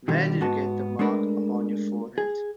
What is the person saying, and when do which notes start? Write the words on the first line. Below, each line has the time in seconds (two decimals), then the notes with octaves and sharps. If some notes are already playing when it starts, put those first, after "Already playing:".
Where did you get the mark upon your forehead?
0.08 B2 D3 D#3 G3
0.41 G#2 B3 F#4 A5
0.99 G#3 A3 D4 A#4 B4
2.18 G#4